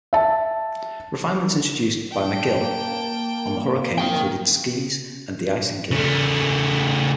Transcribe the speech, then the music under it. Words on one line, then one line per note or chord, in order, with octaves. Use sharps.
Refinements introduced by MacGill on the Hurricane included skis and de-icing gear.
E5 A5
G5 A5
A#3
A#4 G5
C#3 A3